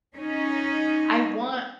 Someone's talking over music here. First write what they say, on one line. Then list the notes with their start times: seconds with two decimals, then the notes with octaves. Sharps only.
I want
0.16 C#4 D#4